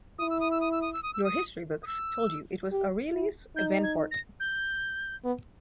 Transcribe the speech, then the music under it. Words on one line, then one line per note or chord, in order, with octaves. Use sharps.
Your history books told you it was Aurelius Venport?
E4 D#6
E6
D#6
E6
D#6
E6
D#6
E6
D#6
E6
D#6
D#6
E6
G4
E4
D#4 G6
G#6
A#6
G6
B3